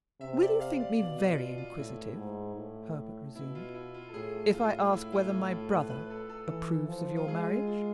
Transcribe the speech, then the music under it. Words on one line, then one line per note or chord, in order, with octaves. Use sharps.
"Will you think me very inquisitive," Herbert resumed, "if I ask whether my brother approves of your marriage?"
C3 E5
D5
F5
D5
B2 D5
F4
F4
F4
A2 E4
G#2
A2
B2 E4
F4
E4
F4
A4
A2 G#4
A2 F4
E4
F4
E4
F4
B4
B4
A4
A4
E3
F3
F4
G#3 G#4
F4
F4